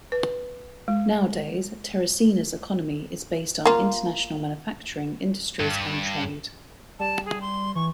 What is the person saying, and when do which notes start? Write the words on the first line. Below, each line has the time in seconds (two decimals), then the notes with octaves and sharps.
Nowadays, Teresina's economy is based on international manufacturing industries and trade.
0.12 B4
0.88 G#3
3.65 A#3 F4
5.60 G2
6.99 G3 A5
7.26 G#4
7.41 C6
7.75 E3 C#6